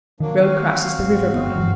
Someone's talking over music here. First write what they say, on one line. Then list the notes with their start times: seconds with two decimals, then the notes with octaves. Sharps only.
Road crosses the river bottom.
0.20 D#3 F#3 A#3 D4
0.41 C4 F#4 F5
0.98 G#2
1.34 G1 B3
1.56 G2 E3 F#3